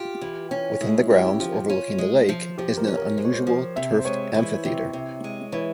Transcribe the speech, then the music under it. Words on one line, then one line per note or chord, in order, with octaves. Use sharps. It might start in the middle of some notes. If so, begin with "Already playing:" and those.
Within the grounds, overlooking the lake, is an unusual turfed amphitheatre.
Already playing: F4 G4
E3
C#4
G#3 E4
E4
C#4 G4
E4
F3 F4
C#4
G#3
F3
F3 G4
A#4
C#4
A#4
G#3 C5
C#5
C5
F3
C3 E5
C5
G#3 C#5
E3
C3
C3
G#3
E3 C#5